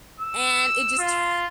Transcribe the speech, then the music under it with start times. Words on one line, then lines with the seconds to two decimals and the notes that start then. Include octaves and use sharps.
and it just turned
0.20 E6
0.99 F4